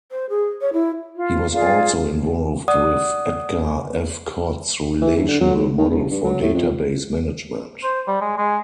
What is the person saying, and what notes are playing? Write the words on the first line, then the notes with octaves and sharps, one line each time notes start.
He was also involved with Edgar F. Codd's relational model for database management.
C5
G#4
C#5
E4
F4
F4 G#4 D5 F5
D5 F#5 D#6
E3
D#2
D3
F#3
D#2
D#3
E1
G2
F#3
A2
F2
C5
G3
G#3
G#3